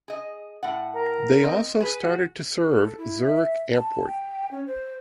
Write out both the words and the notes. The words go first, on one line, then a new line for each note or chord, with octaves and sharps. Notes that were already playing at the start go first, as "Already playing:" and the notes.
They also started to serve Zurich Airport.
G#4 D#5
A2 F#5
A#4
C4 D#5
G#4 B4
F#4
A4
E4
E5
A5
G5
C#4
C5